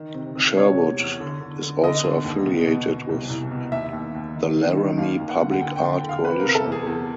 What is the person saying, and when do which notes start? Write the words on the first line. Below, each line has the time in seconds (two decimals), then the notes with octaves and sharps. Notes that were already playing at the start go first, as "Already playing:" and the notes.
Sherwood is also affiliated with the Laramie Public Art Coalition.
Already playing: D#3
0.14 C3
0.35 C3
0.57 C3 C#5
0.78 E2
0.99 E2
1.20 D3
1.40 D3
1.62 D3
1.84 D3 D#5
2.04 D3
2.24 D#2
2.46 B2
2.67 B2
2.88 B2
3.09 C2
3.30 C2
3.51 B2
3.72 D#2 E5
3.93 D#2
4.15 D#2
4.35 D#3
4.57 D#3
4.77 D#3
4.97 D#2 F5
5.20 D#2
5.29 F#5
5.41 D3
5.52 F#5
5.61 D3 G5
5.76 G5
5.82 D3
5.93 G5
6.04 D3
6.09 F5
6.24 E2 B4
6.39 A#4
6.45 C3
6.55 A4
6.66 E2
6.72 G#4
6.87 E2